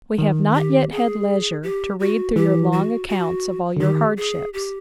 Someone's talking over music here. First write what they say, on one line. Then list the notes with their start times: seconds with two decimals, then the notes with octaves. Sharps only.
We have not yet had leisure to read through your long accounts of all your hardships.
0.19 D#3
0.55 G4
0.91 G#4
1.63 G4
2.00 F#4
2.36 E3 G4
2.72 F#4
3.08 F#4
3.77 D3
3.80 D#3 G4
4.17 G#4
4.54 G4